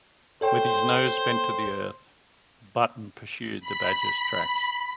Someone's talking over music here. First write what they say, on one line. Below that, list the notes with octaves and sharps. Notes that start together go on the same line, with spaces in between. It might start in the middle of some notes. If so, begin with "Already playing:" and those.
With his nose bent to the earth, Button pursued the badger's tracks.
A4 C5 C#5 G5
B5